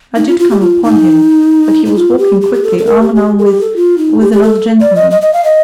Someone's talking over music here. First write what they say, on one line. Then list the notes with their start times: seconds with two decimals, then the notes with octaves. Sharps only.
I did come upon him, but he was walking quickly, arm-in-arm with--with another gentleman.
0.16 D#4
0.27 F4
0.39 F4
0.50 G4
0.61 F4
0.84 D#4
1.86 D#4
1.96 F4
2.19 G4
2.41 G4
2.54 G4
2.64 A4
2.78 A4
2.86 A#4
3.01 G4
3.16 G4
3.39 A4
3.46 G4
3.61 A4
3.76 F4
3.98 D#4
4.20 G4
4.32 G4
4.43 A4
4.81 D5
4.96 D#5
5.11 D#5
5.22 D#5
5.33 F5
5.44 D#5